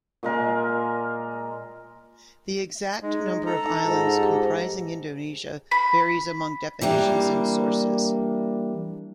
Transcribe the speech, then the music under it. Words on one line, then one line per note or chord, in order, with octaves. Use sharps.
The exact number of islands comprising Indonesia varies among definitions and sources.
A#2 G#3 A#4 D5
G#3 D#4
A4 A#5
G#2 F4
G4
B5
E3 G3 A#3 D4